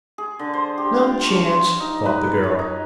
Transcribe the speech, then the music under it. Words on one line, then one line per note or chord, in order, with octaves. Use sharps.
"No chance," thought the girl.
G#4
D3
C5
G4
F4
C#6
C6
D#4
B4
B4
C#5
D#4